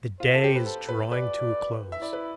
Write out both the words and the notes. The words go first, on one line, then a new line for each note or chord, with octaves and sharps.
The day is drawing to a close.
F4 C5
A4
G4
B4
A4
B4
B4 D5
E5
E4 D5
B4